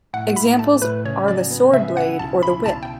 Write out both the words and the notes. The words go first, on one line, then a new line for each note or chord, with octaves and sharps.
Examples are the swordblade or the whip.
A2 F#5
A2 B5
A3 A5
A2 B4
C#3 C#5
F#3 D5
B3
C#3 E5
E4 F#5
B1 A5
E4 B5
B1 A5
G5